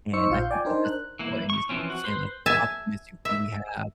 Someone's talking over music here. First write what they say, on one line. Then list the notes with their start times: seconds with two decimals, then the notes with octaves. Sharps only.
and I think that that's important just to understand, like, the optimistic view we have
0.13 D#4 C5 C#6 E6 C#7
0.30 A#1 F4 F5 G6
0.51 D5 G5 G#5
0.65 D4 D#4 A#4 C5
0.85 F#6
1.19 E3 A#3 E4
1.50 C#6
1.69 E3 F3 C4 C#4
1.90 F#4
2.04 B4 C5 C6
2.46 E5 G#5 A5
3.25 E5